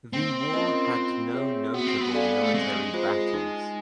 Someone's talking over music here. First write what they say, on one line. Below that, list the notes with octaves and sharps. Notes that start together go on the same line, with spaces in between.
The war had no notable military battles.
A#3 C4
C#4 F4 A#4 D#5
F4
G#4 C#5 E5
B3 F#4
C4
B3
A4 D5 F5 G#5
A3
G#3 C4
F4 G#4 C5
D#4